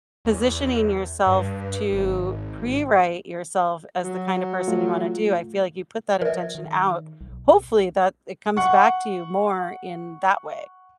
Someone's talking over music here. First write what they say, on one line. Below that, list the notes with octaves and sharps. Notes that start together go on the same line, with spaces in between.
positioning yourself to prewrite yourself as the kind of person you want to do. I feel like you put that intention out. Hopefully that it comes back to you more in that way.
E2
G2
G#1
F#3
A3 F4
F3 A#4 D5 E5
D#3
B1
F#5 C#6